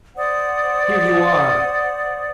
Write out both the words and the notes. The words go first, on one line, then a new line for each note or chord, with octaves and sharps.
"Here you are!"
C5 D5 F#5 D#6